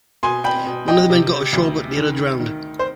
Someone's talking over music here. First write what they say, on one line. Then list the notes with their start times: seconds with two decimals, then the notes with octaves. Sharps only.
One of the men got ashore but the other drowned.
0.23 B2 G#5 C6
0.44 G5 B5
0.67 B2
0.88 D#5 G5
1.10 C3
1.53 D2
1.97 D#3
2.40 D#3
2.79 C5